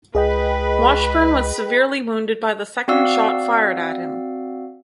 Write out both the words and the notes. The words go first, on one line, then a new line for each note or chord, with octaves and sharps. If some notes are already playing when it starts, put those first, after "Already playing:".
Washburn was severely wounded by the second shot fired at him.
C#2 G#4 B4 D#5 G5
C4 F#4 D5 F5 F#5 E6